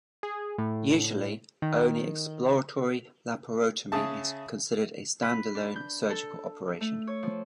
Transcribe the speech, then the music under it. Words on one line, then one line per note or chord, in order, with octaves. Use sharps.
Usually, only exploratory laparotomy is considered a stand-alone surgical operation.
G#4
A2
D#3
C#3 G#4 E5 A5
B4
D4
G6
A4
A3
C#5
F3